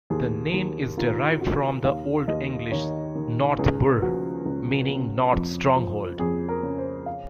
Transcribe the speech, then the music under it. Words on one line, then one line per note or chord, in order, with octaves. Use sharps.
The name is derived from the Old English "north burh", meaning "north stronghold".
D#2 G#4
D#2
D#3 F4
D#3 F#4
D#2 F5
D#2 D#5
D#3 C#5
D#3
C#2 G#4
F3 F#4
C#2
C#3
F2
F3
F2 G#4
A#4
C#3
C5
F5